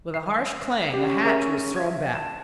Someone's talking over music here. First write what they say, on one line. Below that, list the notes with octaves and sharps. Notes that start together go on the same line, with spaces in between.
With a harsh clang a hatch was thrown back.
C7
C#4 G4
G#4 A#4 E5
D#7
E5 G#6
A5 E7